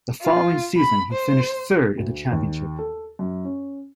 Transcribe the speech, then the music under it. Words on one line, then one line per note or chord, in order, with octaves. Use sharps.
The following season he finished third in the championship.
F4
B5
C5
D2
D#2
A4
F#2
C#4